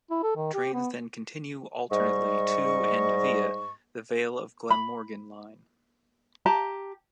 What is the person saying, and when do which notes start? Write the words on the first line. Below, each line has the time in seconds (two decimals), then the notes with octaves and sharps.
Trains then continue alternately to and via the Vale of Glamorgan Line.
0.11 E4
0.23 A4
0.36 D#3
0.54 G4
0.73 B3
1.90 G#2 G3 D#5 C#6
4.70 B5
6.46 G4 A5 A#5